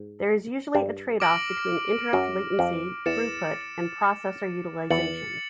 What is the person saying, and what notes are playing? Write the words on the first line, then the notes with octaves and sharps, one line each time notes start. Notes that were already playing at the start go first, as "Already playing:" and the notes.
There is usually a trade-off between interrupt latency, throughput, and processor utilization.
Already playing: G#2
G2 G3
D6 F6 A#6 D7 F#7
F#2 F#3
F2 F3
E2 E3 A6 C#7 E7
E2 E3 A6 C#7 F#7